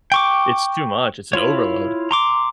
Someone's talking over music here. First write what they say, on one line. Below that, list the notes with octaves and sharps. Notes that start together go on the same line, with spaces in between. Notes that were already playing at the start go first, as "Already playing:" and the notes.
It's too much, it's an overload.
G5 C#6 D6
E4 F4 C#5
A#5 C6 D6